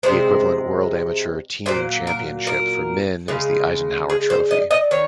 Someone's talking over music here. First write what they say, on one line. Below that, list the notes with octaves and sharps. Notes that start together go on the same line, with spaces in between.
The equivalent "World Amateur Team Championship" for men is the Eisenhower Trophy.
C3 F3 G#3 C5
A#2 F#3 A#3 C5
A#4
A#4
C#3 G#3
G#4
C5
D#5
D#5
D#3 C#5